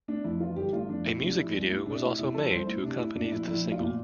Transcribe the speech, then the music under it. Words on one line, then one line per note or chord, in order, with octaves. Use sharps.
A music video was also made to accompany the single.
A3 D4
F2 E4
E3 F4
G1 G4
A3 F4
F2 D4
A3 E4
C3 D4
F3 E4
C2
A3 E4
C3 D4
A3 E4
C3 E4
F3 A4
C2 C5
A3 E4
C3 D4
A3 E4
A#2 D4
F3 E4
A#1 E4
A3
F4
A#2